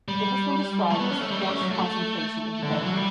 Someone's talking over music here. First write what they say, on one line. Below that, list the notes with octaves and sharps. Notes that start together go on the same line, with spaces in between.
It has been described as the "forced concentration of the Bedouin".
G3
A3
B3
C#4
A3
G3
A3
C#4
F#3
A3
D3
E3
F#3
G3